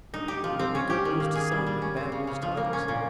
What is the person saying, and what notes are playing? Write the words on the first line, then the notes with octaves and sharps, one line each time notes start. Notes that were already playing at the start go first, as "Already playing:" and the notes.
It will be good news to some, an' bad news to others.
D#4
G4
F3
C4
C#4
G4
D#3
A#3
G#4
G3
G3
C#4
C4
C#3
C#3
F3
A#3
C#4
A#2